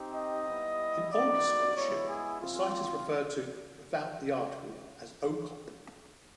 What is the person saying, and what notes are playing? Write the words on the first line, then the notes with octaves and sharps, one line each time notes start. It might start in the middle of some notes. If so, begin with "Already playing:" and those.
In older scholarship the site is referred to without the article as Okop.
Already playing: C4 D#4 G4
D#5
G3 B3 E4
B3 D#4 F#4 D5
G#3 B3 E4 C#5
G#4
C4 F4